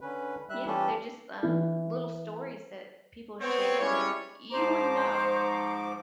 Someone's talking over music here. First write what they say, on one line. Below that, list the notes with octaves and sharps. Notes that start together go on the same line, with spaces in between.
yeah, they're just, um, little stories that people share that you wouldn't know.
D3 C#4 B4
G3 E5 F#6
E3 G3 A3 C#4 G4 A4
E3
B3 C4 C#5
G3 G#3 C#4 E4 C#5
G#2 F3 D#4 C5 A#5 C#6 D6